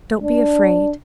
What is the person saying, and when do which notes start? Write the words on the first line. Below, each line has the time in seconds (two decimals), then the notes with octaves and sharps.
'Don't be afraid.
0.23 D4